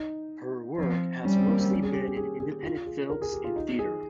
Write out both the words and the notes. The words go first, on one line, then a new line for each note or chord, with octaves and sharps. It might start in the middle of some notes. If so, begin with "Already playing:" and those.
Her work has mostly been in independent films and theater.
Already playing: D#4
F3 C4
G3 C#4
C4
A#3
C4
C#4
G#4
G4
G#4
G#4
G#4
F4
G#4
A#4
G#4
G4
F4
D#4
G#4